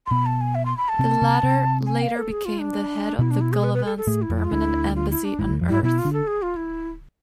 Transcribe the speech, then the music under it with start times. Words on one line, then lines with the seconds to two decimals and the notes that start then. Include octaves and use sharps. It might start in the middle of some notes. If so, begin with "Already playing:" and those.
The latter later became the head of the Golovans' permanent embassy on Earth.
0.06 C6
0.11 B2 B3 B5
0.26 A5
0.41 G#5
0.55 E5
0.66 C6
0.77 B5
0.89 A5
0.99 C3 C4
1.22 C3 C4
1.43 C3 C4
1.87 G#5
2.02 F5
2.17 A4
2.31 G#4
2.45 F4
2.61 D4
3.19 B2 B3 E4
3.31 D4
3.41 E4
3.52 G#4
3.64 B4
3.74 B4
3.85 A4
3.98 A4
4.07 A2 A3 G#4
4.22 E4
4.30 F2 F3
4.37 E4
4.44 F4
4.51 D2 D3 E4
4.96 F4
5.10 E4
5.24 D4
5.39 G#1 G#2 E4
5.50 D2 D3
5.61 F2 F3
5.69 G#2 G#3 E4
5.83 B2 B3 E4
5.99 F4
6.05 D3 D4
6.13 A4
6.27 G#4
6.42 F4
6.56 E4